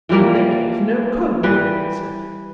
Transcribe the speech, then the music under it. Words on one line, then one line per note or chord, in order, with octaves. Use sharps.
"They gave no code word," he said.
E3 F3 G3 A#3
E3 G3 B4